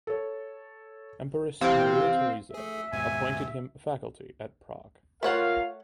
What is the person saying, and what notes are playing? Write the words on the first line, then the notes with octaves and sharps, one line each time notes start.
Empress Maria Theresa appointed him faculty at Prague.
A4 C#5
C3 E3 C4 F5
A3 G#4 E5
D#2 G#2 B2 G#5
A3 F4 A#4 C#5 F5 F#5